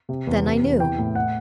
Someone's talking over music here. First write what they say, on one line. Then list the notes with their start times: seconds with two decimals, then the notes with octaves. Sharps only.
Then I knew.
0.09 C3
0.27 E2
0.44 C3
0.63 E2
0.80 E3 G5
0.98 A2
1.15 F#5